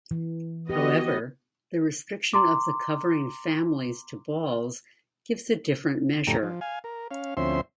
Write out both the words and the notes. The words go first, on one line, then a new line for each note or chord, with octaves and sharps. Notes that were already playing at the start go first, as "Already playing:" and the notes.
However, the restriction of the covering families to balls gives a different measure.
E3
B3 F#4 G4 D#5
A#5 C6 D6
F2 A2 D3 A3 G4 A#5
F3
F5 G#5
A#4
C#4 F5
D2 F3 C4 C#4 E5 C6